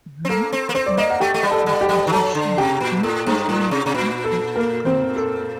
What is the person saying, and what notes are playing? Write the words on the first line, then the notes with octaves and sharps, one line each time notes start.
The words of institution differ slightly in each account.
C4
A#3 A4
C4
A#3
C4 C5
D5
A#3 D#5
F#5
A3 G4 G5
A3
G3
A4 A5
G3
G4 G5
G3
D#3
F#3 A4 A5
D3
C3 G4 G5
A#2
A2 A4
G2
A2
C3
C3
A#2
A4
A#3 A#4
C4 C5
A4